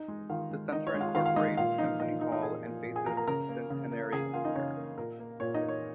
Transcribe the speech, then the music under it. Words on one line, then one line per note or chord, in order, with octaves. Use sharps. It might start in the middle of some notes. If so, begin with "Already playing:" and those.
The centre incorporates Symphony Hall and faces Centenary Square.
Already playing: D#4 D#5
G#3
D#3 F4 F5
G#3
D#3 D#4 D#5
C#5
G#3
F4 F5
D#3 F4 F5
F5
G#3 D#4 D#5
A#2 F4 F5
F3 A#3 D#4 D#5
A#2 D#4 D#5
F3 A#3 D#4 D#5
D#4 D#5
A#2 G#4 G#5
F3 A#3
A#2
G#4 G#5
F3 A#3 A#4 A#5
A#4 A#5
C#3 A#4 A#5
A#3
C#3
A#3
C#3 G#4 G#5
A#3 F4 F5
D#4 D#5
C#3 C#5
A#3
A#2 A#4
A#3
A#2 C#5
D#4 D#5
A#3
C#5